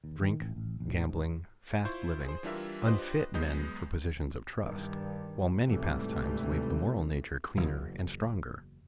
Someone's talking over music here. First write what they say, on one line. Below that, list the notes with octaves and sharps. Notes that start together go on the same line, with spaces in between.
Drink, gambling, fast living, unfit men for positions of trust, while many pastimes leave the moral nature cleaner and stronger.
D#2
D#3
A1
A1
A#1
A2
G#2
E4 F4 C5 C#6 G6
G#4 C5
E3 G3 D4 F4 A#4 E5
D4 F4 G4 B4 C5 D#5
E2 F#3 G#3 B3 D#5 G6
G2 D#3
G#2 C3 E3 G3 A3 C4
F#1 E2